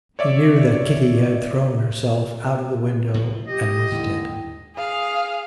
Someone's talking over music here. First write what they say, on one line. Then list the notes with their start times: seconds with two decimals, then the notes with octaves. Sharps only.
He knew that Kitty had thrown herself out of the window and was dead.
0.19 C#5 D5 E5 D6
3.14 A2 D3 F3
3.48 G4 D#5
3.92 D#2 G#2 D3 E4 G5
4.76 G#4 F5